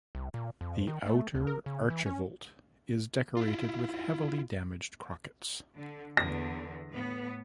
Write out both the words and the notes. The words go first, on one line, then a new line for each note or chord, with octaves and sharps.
The outer archivolt is decorated with heavily damaged crockets.
C2
A#2
F2
D#3
A3
D2
A#4
C#3
E3
C#4
E4 F4
D3
E2 D3 A#6
A2 B3